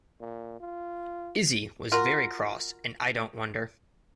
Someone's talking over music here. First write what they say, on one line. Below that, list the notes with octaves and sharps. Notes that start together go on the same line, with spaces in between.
Izzie was very cross and I don’t wonder.
A#2
F4
F4 F#4 A#4